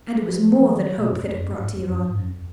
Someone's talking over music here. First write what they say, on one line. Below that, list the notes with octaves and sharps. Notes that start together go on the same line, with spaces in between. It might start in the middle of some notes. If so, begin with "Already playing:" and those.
And it was more than hope that it brought to Yvonne.
F3
F3
D#3
B2
F2
F2
F#2
G#2
F2
F#2
G#2
F#2
F2